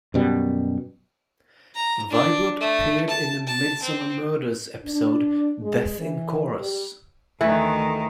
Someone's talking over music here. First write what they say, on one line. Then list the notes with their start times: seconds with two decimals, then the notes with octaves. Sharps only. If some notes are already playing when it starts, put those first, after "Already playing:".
Vibert appeared in the "Midsomer Murders" episode "Death in Chorus".
0.14 F#2 B2 G3
1.75 A#5
2.10 D4
2.60 A3
3.09 A5
3.47 A5
3.83 C4
4.85 D4
5.61 G#3
5.98 E3
6.59 G3
7.41 D2 D#3 E3 A3 A4 B4